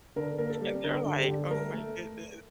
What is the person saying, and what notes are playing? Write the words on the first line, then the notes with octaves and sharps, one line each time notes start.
And they're like, "Oh my goodness,"
D3 A#4
A#3 A#4
A4
G3
D3 A#4
D3
G4
D3
A3 A#4
A3